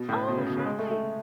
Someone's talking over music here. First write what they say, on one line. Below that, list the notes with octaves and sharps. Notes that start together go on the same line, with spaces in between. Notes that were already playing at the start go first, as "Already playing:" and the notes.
Oh, fries!
Already playing: B2
A2
B2
C#3
B2
C#3
G#3
A3
A3